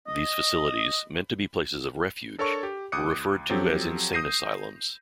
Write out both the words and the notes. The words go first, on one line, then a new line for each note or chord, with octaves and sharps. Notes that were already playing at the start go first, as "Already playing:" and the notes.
These facilities, meant to be places of refuge, were referred to as "insane asylums".
D#5
D4 A4 A#4 C#5 A5 C#6
G4
C#2 D6 D#6 F#6 C#7
F3 F#3 C4 G4 A4
D#6 G6 A#6 C7 D#7